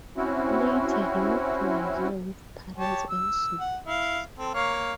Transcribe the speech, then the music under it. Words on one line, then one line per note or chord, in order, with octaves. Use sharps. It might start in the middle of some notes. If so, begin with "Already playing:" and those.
Later he moved to Nigeria with parents and siblings.
C4 C#4 E4 F#4
G4 C#5 A5
E6
F#5
E4 F5
C4 A4
A#3 C#5 F5